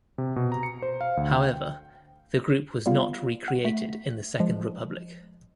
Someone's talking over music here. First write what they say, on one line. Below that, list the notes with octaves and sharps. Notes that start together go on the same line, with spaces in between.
However, the group was not recreated in the Second Republic.
C3
B2
A#5
C#7
C5
F5
D2
G5
G3 B3 F4 F5
F#5
A3 B6
F3 G#3